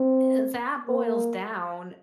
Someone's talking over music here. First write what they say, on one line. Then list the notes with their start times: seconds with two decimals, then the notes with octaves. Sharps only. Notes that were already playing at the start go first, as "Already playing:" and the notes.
eh, that boils down
Already playing: C4
0.87 A#3